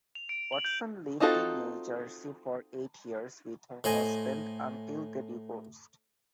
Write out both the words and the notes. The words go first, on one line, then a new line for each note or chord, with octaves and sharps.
Watson lived in New Jersey for eight years with her husband until they divorced.
F7
D7
F#7
G6
C4 D#4 F4 F#4 A4
A2 C5 D#5 G#5